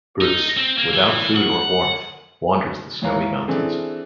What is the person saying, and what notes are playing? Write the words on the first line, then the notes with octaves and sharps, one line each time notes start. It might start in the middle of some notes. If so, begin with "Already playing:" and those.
Bruce, without food or warmth, wanders the snowy mountains.
D#4
C4
A#3
E3
F#5
G#2 E3 C#5 F5 A#5
E3 C4 D4 G#4 A4